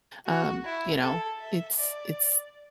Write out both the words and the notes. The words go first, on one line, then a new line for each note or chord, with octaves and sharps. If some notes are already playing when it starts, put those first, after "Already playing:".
um, you know, it's it's
F#4
E4
A4
E5
D5